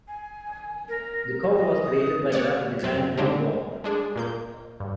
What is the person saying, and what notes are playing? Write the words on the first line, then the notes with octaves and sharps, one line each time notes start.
The cover was created by graphic designer John Gall.
G#5
A#4
D#5
D#6
C#5 D5 F#5
F#2 C4
D3 D#3 G#3 C4 D4 G4
G#3 D4 G#4
A#2 A#3 G6
G2